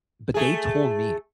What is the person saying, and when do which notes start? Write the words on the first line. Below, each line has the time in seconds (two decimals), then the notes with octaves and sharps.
But, they told me,
0.34 A3 G#4